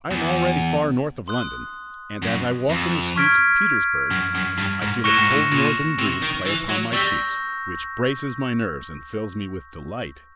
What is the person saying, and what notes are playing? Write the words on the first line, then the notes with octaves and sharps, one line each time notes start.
I am already far north of London, and as I walk in the streets of Petersburgh, I feel a cold northern breeze play upon my cheeks, which braces my nerves and fills me with delight.
E2
C6 D#6 F#6
F#2
F2
C#6 F6 G#6 B6 D7
F#2
F#2
G2
G#2
A2 C#6 F#6 A#6 C#7 E7
G#2
A2
A#2
C3
D#3
E3
F#3
G3 C#6 E6 G6 A#6